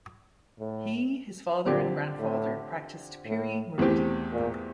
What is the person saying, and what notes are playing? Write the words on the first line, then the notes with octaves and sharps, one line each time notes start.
He, his father and grandfather practised piri-muridi.
A2
A#2 D3 F3 C4 G4 D5
A2
A2
E2 E3 A3 C4 G4
A#2